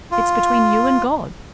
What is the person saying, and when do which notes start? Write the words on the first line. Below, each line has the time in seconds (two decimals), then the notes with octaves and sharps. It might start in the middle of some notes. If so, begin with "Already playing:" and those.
It's between you and God.
0.11 F4